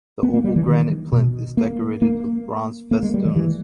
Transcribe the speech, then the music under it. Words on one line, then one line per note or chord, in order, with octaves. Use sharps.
The oval granite plinth is decorated with bronze festoons.
B3
A#3
G3
E3
D#3
B2
A#3
A#3
A#3
G#3
G3
E3
E3